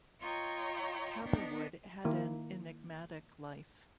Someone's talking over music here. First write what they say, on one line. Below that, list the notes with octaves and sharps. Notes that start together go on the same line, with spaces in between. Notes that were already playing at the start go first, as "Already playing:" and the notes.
Catherwood had an enigmatic life.
F4 C#5 D#5 G5 A#5 C#6
B3 D4 D#4
D#3 A#3 E4